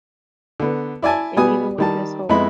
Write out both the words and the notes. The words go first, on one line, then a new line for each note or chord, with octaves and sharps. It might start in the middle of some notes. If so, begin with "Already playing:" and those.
and even with this whole
D3 B3
E4 D5 E5 G#5 A5
B2 G3 B3 G#5 D#6
D#3 G3 A5
F2 G#3 B3 E4 B5